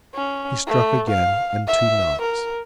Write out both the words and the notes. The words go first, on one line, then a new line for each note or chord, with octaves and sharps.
He struck again, and two knocks.
C#4
A3
F5
E5
A#4